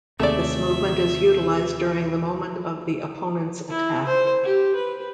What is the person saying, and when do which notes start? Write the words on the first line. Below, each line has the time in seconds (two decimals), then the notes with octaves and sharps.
This movement is utilized during the moment of the opponent's attack.
0.20 D#2 C3 A3 G#4 C#5 D5 E5
3.70 E4
4.06 C5
4.43 G4
4.75 B4